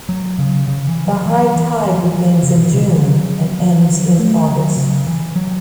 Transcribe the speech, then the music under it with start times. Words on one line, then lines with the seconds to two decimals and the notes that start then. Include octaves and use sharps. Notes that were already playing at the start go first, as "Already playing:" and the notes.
The high tide begins in June and ends in August.
0.09 F#3
0.39 C#3
0.68 C#3
0.87 E3
1.07 F#3
1.26 E3
1.56 E3
1.85 E3
1.94 F#3
2.04 E3
2.43 C#3
2.58 B2
2.72 C#3
2.87 E3
3.01 F#3
3.59 F#3
4.19 A3
4.48 F#3
4.77 C#3
5.07 E3
5.36 F#3